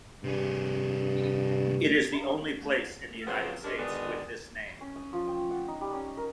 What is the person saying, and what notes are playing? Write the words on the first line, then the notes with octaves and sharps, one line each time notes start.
It is the only place in the United States with this name.
G2 C3 G#4
C#3 F3 F#3 B3 C4
G2 G#3 C#4 D4 A#4
B2 D3 D#3 G#3 B3
C#4
D#6
F3
G5
F#5
D#4
G3
C#4
A#4